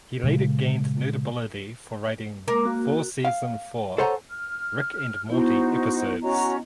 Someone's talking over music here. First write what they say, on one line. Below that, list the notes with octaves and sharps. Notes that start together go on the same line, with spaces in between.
He later gained notability for writing four season four "Rick and Morty" episodes.
A#2 C#3 G#3
G#3 A#3 A#4 D6
A#3 F#4
F5
A4 C5 C#5 F#5 G#5 A#5
F6
B3 D#4 E4 F#4 C5
C#4 F#4 D#5 A#5